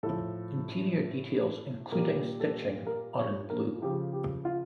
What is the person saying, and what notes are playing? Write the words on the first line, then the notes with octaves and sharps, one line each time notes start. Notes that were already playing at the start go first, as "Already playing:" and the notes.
Interior details, including stitching are in blue.
A2 F3 A4
A#2 G3 A#4
A4
A#4
C#5
A#4
C#3 F3 G4
G4
F4